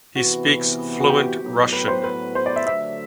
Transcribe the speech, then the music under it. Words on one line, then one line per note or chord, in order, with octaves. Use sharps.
He speaks fluent Russian.
C3 E3 B3 F#4
F#4
G4
A2 F#3 B3
B4
C5
B4
C5
D5
E5
D3 F#3 A3 E5